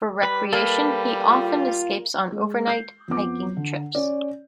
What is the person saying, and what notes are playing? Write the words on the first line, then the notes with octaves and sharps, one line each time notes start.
For recreation he often escapes on overnight hiking trips.
G3 B4 B5
A#3 A4 B4
F4
G#3
G6 C7
F2 B3 D6
D3
C#4 D5